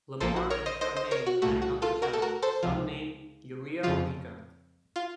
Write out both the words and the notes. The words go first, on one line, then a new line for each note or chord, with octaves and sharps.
Lemar and Charmaine had another child, a son named Uriah Obika.
A#1 A#2 F3 A#3 A4 C5
F#4
A#4 C#5
C5 D#5
C5 D#5
C5 D#5
A#4 C#5
F#4
C2 A#2 A3 F#4
F#4
F4 A4
F#4 A#4
A4
F#4 A#4
A4 C5
C#2 C3 F3
F2 C#3 F3 F4
F4